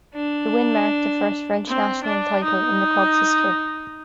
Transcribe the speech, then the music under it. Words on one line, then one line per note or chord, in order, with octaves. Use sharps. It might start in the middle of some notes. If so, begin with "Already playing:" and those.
The win marked the first French national title in the club's history.
D4
C4
D4
D#4